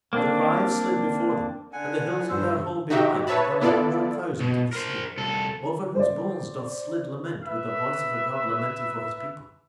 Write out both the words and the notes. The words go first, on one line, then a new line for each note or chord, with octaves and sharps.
With the cry of Slid before them and the hills of their home behind have gone a hundred thousand to the sea, over whose bones doth Slid lament with the voice of a god lamenting for his people.
A#3 C4 D4
D3 F#5 G#5
G2 C5 E6
D#4 F#4 G4 E5
B4 C#5 E5 A5 B5
B3 E4 F4 A4 D5
B2
A#4 C5
C2 A4
C5 D5
B4 E5